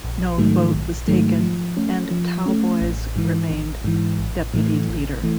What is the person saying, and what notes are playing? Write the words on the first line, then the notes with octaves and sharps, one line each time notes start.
No vote was taken, and Talboys remained deputy leader.
A#1
G#2 D#3 F#3 A3
A#1
G#2 D#3 F#3 A3
F3
A3 C#4
F3
A3 C#4
A1
G#2 E3
A1
G#2 E3
A1
A2 E3 A3
A1
E3 A3